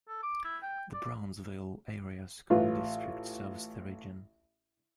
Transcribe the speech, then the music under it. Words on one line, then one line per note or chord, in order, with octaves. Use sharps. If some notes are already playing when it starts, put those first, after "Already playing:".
The Brownsville Area School District serves the region.
A4
D6
E4
G5
D5
A1 F4 B4